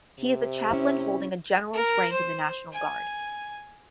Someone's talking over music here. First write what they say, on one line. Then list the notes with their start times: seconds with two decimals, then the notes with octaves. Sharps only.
He is a chaplain holding a general's rank in the National Guard.
0.19 C3
0.71 C#4 E4 E5
1.74 A#4
2.11 C5
2.72 G#5